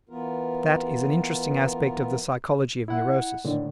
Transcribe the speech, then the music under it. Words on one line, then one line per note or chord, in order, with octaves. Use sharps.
That is an interesting aspect of the psychology of neurosis.
E3 B3 F4 A#4
E4 F#5
A2 D3 D#3